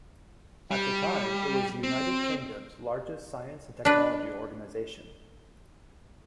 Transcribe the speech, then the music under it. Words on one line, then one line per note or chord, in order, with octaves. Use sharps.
At the time it was the United Kingdom's largest science and technology organisation.
G3
C4
D4 B4